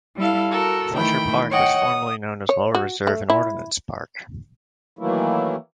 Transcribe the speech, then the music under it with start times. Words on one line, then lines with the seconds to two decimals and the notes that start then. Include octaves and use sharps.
Fletcher Park was formally known as Lower Reserve and Ordinance Park.
0.16 G3 E4 A4 F5
0.51 F#4 A4 A#4
0.96 D#3 E3 A3 G5 B5
1.51 C#5 D#5 F#5 G5
1.84 D#6
2.49 C#5
2.75 F#4
3.07 A3
3.30 E4
4.99 D#3 E3 F#3 A3 A#3 E4